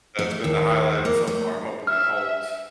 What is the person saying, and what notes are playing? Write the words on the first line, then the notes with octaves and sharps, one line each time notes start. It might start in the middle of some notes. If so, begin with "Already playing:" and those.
that's been the highlight so far. I'm hoping that holds.
A3
D#2
A#3
A3
E5 F6